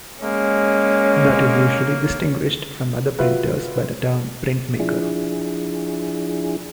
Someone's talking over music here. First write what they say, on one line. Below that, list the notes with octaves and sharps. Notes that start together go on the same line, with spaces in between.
That is usually distinguished from other printers by the term printmaker.
G#3 A#3 C#4
F4 F#4 B4 E5
F3 D4 E4 G#4